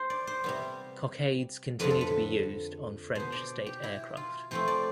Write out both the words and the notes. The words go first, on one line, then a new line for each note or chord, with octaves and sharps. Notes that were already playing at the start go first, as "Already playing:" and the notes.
Cockades continue to be used on French state aircraft.
Already playing: C5
D5
C5
C3 G3 B3
F2 D3 F3 B3 B4
A4
B4
B2 B3 C5
D5
G4
E4
F4
C3 F3 A3 C4 C5
D5